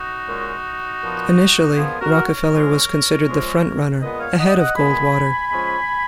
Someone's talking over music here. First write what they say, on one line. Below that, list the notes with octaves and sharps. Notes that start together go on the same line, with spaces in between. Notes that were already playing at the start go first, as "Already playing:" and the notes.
Initially, Rockefeller was considered the front-runner, ahead of Goldwater.
Already playing: D#4 F#4
A#2 G#3 C#4
A#2 F3 B3
A#2 F3 B3 F4 G#4
F#4 A#4
A#4 C#5
F3 G#3 C#4
F3 G#3 C#4
A#2 G#3 B3 B4 D#5
C#5 F5
D#5 F#5
D#5 F#5
A#2 G#3 B3 G#5 B5
F3 G#3 C#4